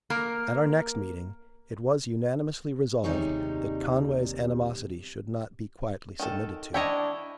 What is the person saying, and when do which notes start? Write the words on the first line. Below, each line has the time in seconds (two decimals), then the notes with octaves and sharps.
At our next meeting it was unanimously resolved that Conway's animosity should not be quietly submitted to.
0.10 A#3 A#4
3.04 D#2 C3 G3 D#4 G#4 C#5
6.19 D#3 A4
6.74 D4 E4 C#5 D#5 G5 A#5